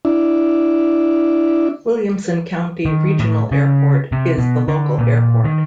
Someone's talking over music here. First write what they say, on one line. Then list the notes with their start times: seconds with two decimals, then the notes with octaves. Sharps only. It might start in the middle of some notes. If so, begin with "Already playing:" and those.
Williamson County Regional Airport is the local airport.
0.05 D4 E4
2.85 D#3
3.20 A2
3.52 C#3
4.12 C3
4.38 B2
4.68 D3
4.99 A#2
5.44 D#3